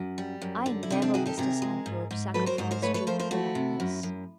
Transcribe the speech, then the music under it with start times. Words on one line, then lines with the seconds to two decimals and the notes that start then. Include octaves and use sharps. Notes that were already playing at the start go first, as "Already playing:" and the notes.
"I never, Mr. Sandford, sacrificed truth to politeness."
Already playing: F#2
0.18 G3
0.42 F#2
0.66 D3
0.83 E4
0.90 C3 D#4
1.02 C4 D4
1.14 D#3 F#4 G#4
1.26 G4 A4
1.38 C3 G#4 A#4
1.62 G#3
1.86 G#2
2.11 G#2
2.34 F#3 A4 B4
2.46 A#4 C5
2.58 G#2 A#4 C5
2.71 A#4 C5
2.82 A3 B4 C#5
2.94 B4 C#5
3.07 F3 A#4 C5
3.19 A#4 C5
3.31 A3 E4 F#4
3.55 C3
3.80 F#2
4.03 F#2